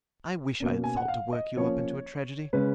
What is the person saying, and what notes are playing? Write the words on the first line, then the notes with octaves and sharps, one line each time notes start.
"I wish I had thought to work you up into a tragedy."
B2 A#3 C#4
G#5
F#5
F5
D#5
F3 A#3 C#4 C#5
C#3 G#3 C#4 B4